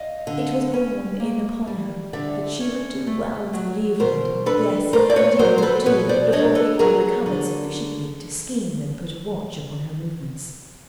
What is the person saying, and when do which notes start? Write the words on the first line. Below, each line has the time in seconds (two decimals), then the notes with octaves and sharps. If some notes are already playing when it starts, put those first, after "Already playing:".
It was borne in upon her that she would do well to leave London, yes, and England, too, before Victor recovered sufficiently to scheme and put a watch upon her movements.
Already playing: D#5 F5
0.27 D3
0.74 C#4
1.20 A#3
1.67 G3
2.13 D3 D5 E5
2.60 C#4
3.07 A3
3.53 F#3
4.00 B2 A#4 C5
4.46 D4 A4 B4
4.93 A3 A#4 C5
5.10 D5
5.16 B4 C#5
5.39 F#3 A#4 C5
5.58 C5
5.62 A4 B4
5.86 B2 B4 C#5
6.09 C5 D5
6.32 D4 C#5 D#5
6.55 A4 B4
6.79 F#3 G#4 A#4
7.26 D3